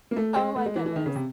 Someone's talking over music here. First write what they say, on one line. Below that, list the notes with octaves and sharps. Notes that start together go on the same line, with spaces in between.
oh my goodness.
A#3
A3
G#3
A3
G#3
E3
E3
D#3
C#3
C3